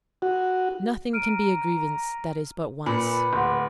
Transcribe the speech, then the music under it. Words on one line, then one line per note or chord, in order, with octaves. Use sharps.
Nothing can be a grievance that is but once.
F#4
A#5 F6 D7 D#7
A#2 B4 B5
D1 F#5 C6